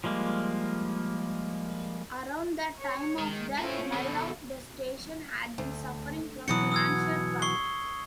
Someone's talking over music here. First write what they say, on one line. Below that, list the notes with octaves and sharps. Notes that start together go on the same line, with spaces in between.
Around the time of the buyout, the station had been suffering from financial problems.
F3 G3 G#3 A#3
C#5
D#3 G#3
C4 C#4 E4 F4 A4
B2 D#3 A4
D2
B2 E3 F#3 D#6 C#7
D#6 E6 G#6
C#6 C7 G7